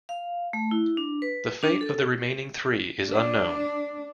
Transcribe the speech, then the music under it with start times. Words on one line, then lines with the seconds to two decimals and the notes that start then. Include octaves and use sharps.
The fate of the remaining three is unknown.
0.09 F5
0.53 A3
0.71 E4
0.97 D4
1.22 B4
1.63 D4
1.81 A4
3.09 D4